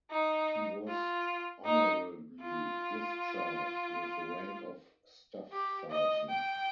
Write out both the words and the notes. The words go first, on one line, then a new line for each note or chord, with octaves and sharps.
He was honorably discharged with the rank of staff sergeant.
D#4
F4
D#4
F4
G4
D#5
G5